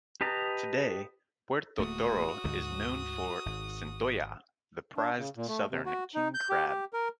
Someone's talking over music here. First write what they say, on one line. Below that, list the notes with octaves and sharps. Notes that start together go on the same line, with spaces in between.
Today, Puerto Toro is known for "centolla," the prized southern king crab.
G4 B4 D#5 A5 A#5
D1 A3 A#3 F#4 D#6
D2 G#2 D3
G#1
D4
C#3
A#2
A3
C3
F#4
D#4
G6
G4
G4
A#4